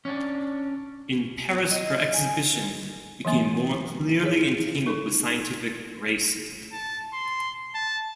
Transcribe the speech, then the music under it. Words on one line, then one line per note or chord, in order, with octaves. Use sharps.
In Paris, her exhibition became more clearly entangled with scientific racism.
C#4 D4
D#5
G#5
E3 F#3 A#3 C6
G#4 C#5
D#4 A4
A5
C6
A5